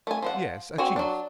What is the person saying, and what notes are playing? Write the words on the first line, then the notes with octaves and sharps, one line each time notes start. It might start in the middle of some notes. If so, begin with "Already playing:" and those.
"Yes, a chief."
A3 G#5
F3 C5 F#5
C4 F#4 G#5
F#3 D4